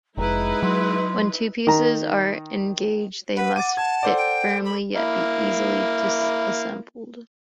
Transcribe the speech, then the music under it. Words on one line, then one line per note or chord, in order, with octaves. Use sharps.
When two pieces are engaged they must fit firmly, yet be easily disassembled.
F1 G#3 D#4 E4 B4 A#5
F#3 C6
D#3 A#5
B4 F#5
D6 A6 D#7
A5 G#6
A4 C5 D5
G5
B5
A#3 E4